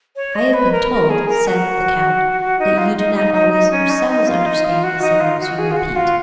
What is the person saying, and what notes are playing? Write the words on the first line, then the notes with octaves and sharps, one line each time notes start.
"I have been told," said the count, "that you do not always yourselves understand the signals you repeat."
C#5
D#5
B4
A#4
A#4
G#4
A#4
F#4
F#4
D#4
F4
D#4
D#4
D#4
D#4
C#4
D#4
D#4
F4
D#4
F4
F#4
D#4
F4
F#4
G#4
F4
F#4
F4